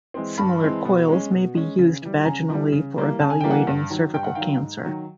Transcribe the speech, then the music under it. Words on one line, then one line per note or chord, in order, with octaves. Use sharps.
Similar coils may be used vaginally for evaluating cervical cancer.
E3 G#3 C4
G2 A5 B5
E3 G#3 C4
B2
G#3 C#4
B2
G#3 C#4
C#3
E3 G3
C#3 G#5 A#5
E3 G3
C#3
E3 G3 A#3
C#3 A5
G#5
E3 G3 A#3 G5
F#5 G#5
G2
D#3 F#3
G2 G5
F#5
D#3 F#3 F5 G5
G#2
D#3 F#3